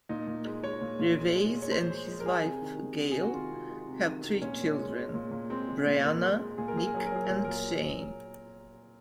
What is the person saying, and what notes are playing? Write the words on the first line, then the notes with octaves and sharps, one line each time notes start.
Reveiz and his wife, Gail, have three children: Bryanna, Nick and Shane.
A#2 D#4
A#2
G#3
G#3 C#5
A#2
A#2
G#3
G#3
A#2
C#5
A#2 C5
G#3
G#3
A#4
G#3 G#4
C3
D#3
C3
G#3
C3 G#4
F#4
D#3 F4
C3
G#3
C3
D#3
C3
A#2 C#4
A#2
G#3
G#3
A#2
A#2
G#3 C4
G#3
A#2
A#2 A#4
G#3
G#3
A#2 G#4
A#4
A#2 G#4
A#4
F#3 G#4
A#4
F#3 G#4
A#2 A#4
G#4
A#2 A#4